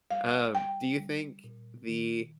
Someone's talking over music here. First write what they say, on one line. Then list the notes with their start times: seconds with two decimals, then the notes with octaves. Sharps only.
Um, do you think the
0.11 G3 F5
0.55 G3 G5
0.99 G3
1.44 A#2
1.88 D#3